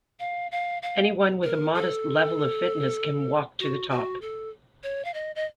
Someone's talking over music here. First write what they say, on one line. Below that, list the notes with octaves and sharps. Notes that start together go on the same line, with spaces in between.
Anyone with a modest level of fitness can walk to the top.
F5
F5
F5
A#4
A4
F#4
F#4
A4
C#5
F5
D#5
D#5